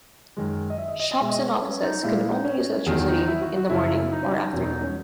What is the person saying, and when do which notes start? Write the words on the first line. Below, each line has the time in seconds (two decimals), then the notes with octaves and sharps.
Shops and offices could only use electricity in the morning or afternoon.
0.37 F#2 D#3 G#3
0.70 D#5
0.78 E5
0.88 D#5
1.00 D#5
1.11 D#5
1.20 B2 G#3 E5
1.30 D#5
1.41 C#5
1.52 B4
1.62 C#4
1.82 D#4
2.03 A#2 G#3 E4
2.17 E4
2.31 D#4
2.45 C#4
2.86 E2 D#3 F#3 G#4
2.96 F#4
3.07 D#4
3.18 D#4
3.28 E4
3.41 F#4
3.56 F#4
3.69 F#2 C#3 F#3 E4
4.12 D#4
4.23 C#4
4.32 D#4
4.53 E2 B2 F#3 C#4
4.63 D#4
4.73 D#4
4.84 C#4